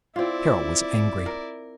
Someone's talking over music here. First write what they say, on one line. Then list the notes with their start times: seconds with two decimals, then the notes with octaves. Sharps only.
Carol was angry.
0.16 C4 E4 F4 D5
1.26 A#4